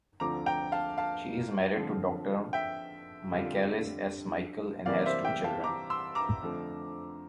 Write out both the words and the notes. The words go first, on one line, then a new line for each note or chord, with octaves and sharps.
She is married to Doctor Michalis S. Michael, and has two children.
D2 D3 F3 C4 F4 A#5 D6
G5 A#5
F5 A5
F5 A5
D3 F3 C4 F4
E5 G5
F2 D3 G3 D4 F4
C3 E3 G3 A#3 D5 F5
C5 E5
E5 G5
F5 A5
A#5 D6
C6 E6
A#5 D6
F2 D3 F3 A3